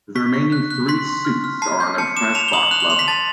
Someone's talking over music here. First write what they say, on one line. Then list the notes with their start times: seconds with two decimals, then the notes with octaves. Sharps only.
The remaining three suites are on the Press Box level.
0.15 C#6 B6
0.34 C#6
0.52 F#6
0.70 F#6
0.88 C6 B6
1.07 C6
1.25 F6
1.44 F6
1.62 A5 C7
1.80 G6
1.98 A5 C#7
2.16 D6 E7
2.35 A5 F7
2.48 G7
2.53 D#6 F#7
2.71 F#6 F7
2.80 F#7
2.90 C6 F7
2.99 B6
3.08 A5 A6